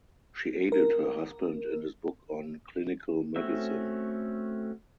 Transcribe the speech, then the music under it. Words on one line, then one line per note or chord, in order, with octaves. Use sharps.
She aided her husband in his book on "Clinical Medicine".
A#4
A3 C4 C#4 F#4 E5